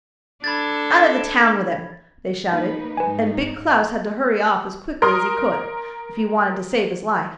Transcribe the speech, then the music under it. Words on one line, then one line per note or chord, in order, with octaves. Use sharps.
Out of the town with him!' they shouted; and Big Klaus had to hurry off as quickly as he could, if he wanted to save his life.
D4 A4 B5 G#6 A6
A#3 D#4 B4
G#2 D#4 B4 G#5
A#4 C6 D#6 F6